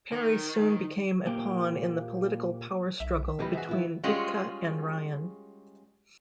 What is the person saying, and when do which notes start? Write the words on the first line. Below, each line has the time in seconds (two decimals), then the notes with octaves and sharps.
Perry soon became a pawn in the political power struggle between Ditka and Ryan.
0.12 D#3
1.27 A#2 A#3 G4
3.00 B1 E5
3.39 C#2 E3 G3 E4 G4 D#5 B5
3.53 F#4 G#4 E5
3.68 E4 F4
4.03 G3 G#3 C#4 F4 F#4 G#4